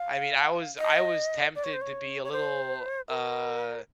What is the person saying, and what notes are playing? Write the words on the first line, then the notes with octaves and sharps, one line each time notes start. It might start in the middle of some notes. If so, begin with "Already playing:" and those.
I mean, I was I was tempted to be a little, uh,
Already playing: F5
D#5
D5
C#5
C5
C#5
C#5
C5
A#4